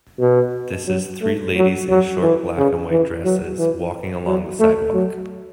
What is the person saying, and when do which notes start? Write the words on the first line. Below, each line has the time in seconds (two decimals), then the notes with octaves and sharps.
This is three ladies in short black and white dresses walking along the sidewalk.
0.20 B2
0.87 F#3
1.22 A3
1.56 F#3
1.89 F#3
2.23 E3
2.58 C#3
2.91 E3
3.25 F#3
3.59 E3
4.26 F#3
4.60 A3
4.94 F#3